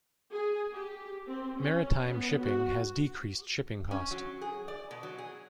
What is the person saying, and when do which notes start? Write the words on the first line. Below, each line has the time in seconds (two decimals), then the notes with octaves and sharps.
Maritime shipping has decreased shipping cost.
0.32 G#4
0.73 G4
1.27 C4
1.60 C#4
2.03 B3
2.41 F#4
3.91 C#4
4.11 F#3
4.41 G#4
4.68 D5
4.91 B2
5.03 F#3
5.18 G#4